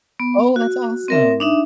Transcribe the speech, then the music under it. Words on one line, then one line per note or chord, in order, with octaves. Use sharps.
Oh, that's awesome!
B3
F#4
C4 A#4 E5
D4 D#4 E5